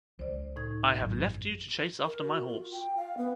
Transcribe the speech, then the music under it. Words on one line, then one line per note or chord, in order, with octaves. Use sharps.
I have left you to chase after my horse.
C#2 C5 D5
A2 D#4 G#6
G#1 F#2
A#4
F#4
F4
G5
F5
B3